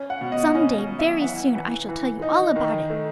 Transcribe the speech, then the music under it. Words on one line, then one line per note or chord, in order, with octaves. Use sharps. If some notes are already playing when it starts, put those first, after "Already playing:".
Some day, very soon, I shall tell you all about it.
Already playing: C#4
F#5
B2
D#5
C#4 D#5
F#3
E5
E3 F#5
E3
E3
D#4
D#3
A3